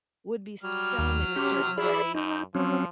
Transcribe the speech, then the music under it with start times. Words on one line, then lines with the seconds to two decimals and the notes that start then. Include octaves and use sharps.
would be spun in a certain way
0.63 F#3 G3 F6
0.98 D#2
1.36 C3 C#4 G4
1.78 E4 G#4 D5 B5
2.15 F#2 D#4
2.55 F3 F#3 C4 C#4